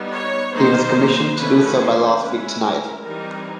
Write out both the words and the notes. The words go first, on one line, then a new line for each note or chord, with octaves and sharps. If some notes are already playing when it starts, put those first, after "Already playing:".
He was commissioned to do so by "Last Week Tonight".
Already playing: G3 B3 D#4
C#5
D#3 F#3 A#3 D#4 C5
D3 F3 A3 C#4 E4 B4
C5
G#3 C#4 E4 B4
A#4
E3 G3 C4 D#4 A#4